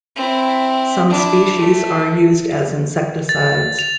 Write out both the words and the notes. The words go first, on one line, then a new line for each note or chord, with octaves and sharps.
Some species are used as insecticides.
C4 E4
D4 E4
A3
A6
F7